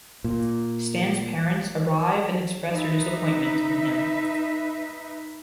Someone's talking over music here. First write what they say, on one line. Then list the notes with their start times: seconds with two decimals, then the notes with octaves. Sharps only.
Stan's parents arrive and express their disappointment in him.
0.24 A#2
2.71 D#4 B4 E5